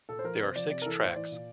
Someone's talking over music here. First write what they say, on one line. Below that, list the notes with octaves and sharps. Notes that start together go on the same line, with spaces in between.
There are six tracks.
A#2 A4
C5
F3 A#4
C3 C5
F3 D5
C3 D5
A#4
E3 A4
A2 C5
E3 D5
A#2